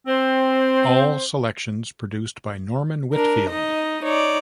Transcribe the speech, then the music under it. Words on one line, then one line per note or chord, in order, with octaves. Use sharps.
All selections produced by Norman Whitfield.
C4 C5
D4 A#4
D#4 D#5
D#4 C#5 D5